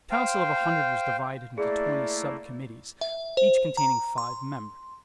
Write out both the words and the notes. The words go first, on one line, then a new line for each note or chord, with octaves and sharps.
The council of a hundred was divided into twenty subcommittees, each containing five members.
C5 F5 G5
A3 A#3 E4 G#4 D5
E5
C5
A#5
C6